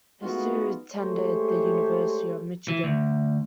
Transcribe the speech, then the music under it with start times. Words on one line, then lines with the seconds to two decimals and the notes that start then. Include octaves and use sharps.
Hsu attended the University of Michigan.
0.22 G#3 A3 B3 D#4 F4 F#4
0.94 G#3 A3 G4 A4 C5 C#5
2.68 E3
2.84 D2